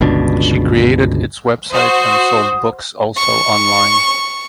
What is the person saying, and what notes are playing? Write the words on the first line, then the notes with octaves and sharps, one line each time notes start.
She created its website and sold books also online.
G1 C#2 B2 D4
F#4 C5 D#6
C#6